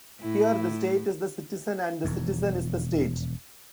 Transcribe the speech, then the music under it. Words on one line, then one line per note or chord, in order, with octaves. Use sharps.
Here the state is the citizen and the citizen is the state.
A2 E4
E1 F2